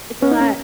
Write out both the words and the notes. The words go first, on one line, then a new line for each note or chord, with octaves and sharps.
it's a lot
C#4
D#4
C#4